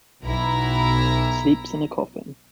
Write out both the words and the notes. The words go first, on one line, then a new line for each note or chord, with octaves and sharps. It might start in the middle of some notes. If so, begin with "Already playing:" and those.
Sleeps in a coffin.
B1 E4 A#5